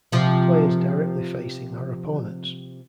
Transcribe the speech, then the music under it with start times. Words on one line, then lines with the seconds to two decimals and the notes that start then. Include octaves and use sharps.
The players directly facing are opponents.
0.12 C3 F3